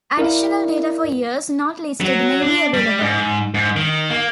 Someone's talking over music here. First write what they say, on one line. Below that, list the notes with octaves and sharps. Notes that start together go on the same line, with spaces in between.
Additional data for years not listed may be available.
E4 A#4 D5 F5
F#3
D4
G3
G#2
G#2
D#3
A#3